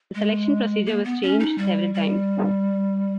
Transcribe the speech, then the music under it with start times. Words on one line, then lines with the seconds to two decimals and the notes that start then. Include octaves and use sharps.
The selection procedure was changed several times.
0.15 G#3
0.86 A#3
1.04 B3
1.22 C#4
1.40 D#4
1.58 G3
1.94 G3